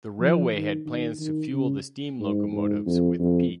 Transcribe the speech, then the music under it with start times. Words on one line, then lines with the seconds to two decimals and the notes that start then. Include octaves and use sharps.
The railway had plans to fuel the steam locomotives with peat.
0.20 F3
0.52 D#3
0.86 D#3
1.19 D#3
1.52 C#3
2.20 G#2
2.52 G#2
2.86 F2
3.19 F2